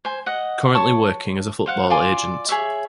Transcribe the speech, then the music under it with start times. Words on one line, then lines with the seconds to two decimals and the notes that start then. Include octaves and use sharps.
Currently working as a football agent.
0.05 C5 G#5
0.26 D#5 F#5
0.75 C#5 A5 C#6
1.66 C5 F5 F#5
1.90 F4 D5 G#5 C6
2.49 G#4 C#5 E5